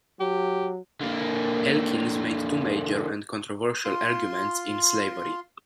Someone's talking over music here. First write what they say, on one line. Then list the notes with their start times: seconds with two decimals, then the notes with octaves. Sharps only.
Elkins made two major, and controversial, arguments in "Slavery".
0.20 F#3 G4
1.01 D3 A#3
3.85 F4 C6